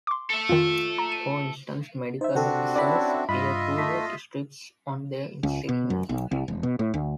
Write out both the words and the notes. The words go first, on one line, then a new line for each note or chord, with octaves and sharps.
For instance, medical officers bear two red stripes on their insignia.
C6 D6
A4 E5
F2 D#3 F4
A#5
D#7
D#4 C5 E5
C3 C4 D4 F#4 G4 A4 F#5
C#4 E4 A4 D5 E5 A5 B5
G2 F4 D#5 E5 B5
A3 C6 B6
C#2
B2
F#2
B1
C2
E1
B2
A2
D2